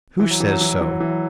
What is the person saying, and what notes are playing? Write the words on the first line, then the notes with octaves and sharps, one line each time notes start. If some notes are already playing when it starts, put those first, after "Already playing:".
"Who says so?"
E3
F#3
E3
F#3
E3
F#3
E3
F#3
E3
F#3